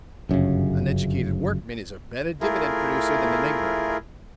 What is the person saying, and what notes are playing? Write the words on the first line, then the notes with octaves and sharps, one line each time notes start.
An educated workman is a better dividend-producer than an ignorant one.
G1 F#2 A#2 C#3
A3 E4 F4 G#4 A#4